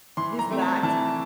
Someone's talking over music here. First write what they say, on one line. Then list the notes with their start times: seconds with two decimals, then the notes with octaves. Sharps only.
is not
0.17 E3 C6
0.39 A#5
0.51 A3 C4
0.61 A5
0.83 E3 A5